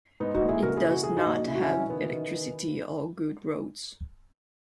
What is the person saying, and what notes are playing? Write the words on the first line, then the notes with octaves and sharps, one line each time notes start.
It does not have electricity or good roads.
G#2 B3 D#4
D#4 F#4
A#1
E4 G#4
C#3 F#4 A#4
E4 G#4
E3
F#4
E3 G#4
D#4 F#4
A#1
C#3 E4
F#4
C#4 E4
E3
D#3 B3
D#3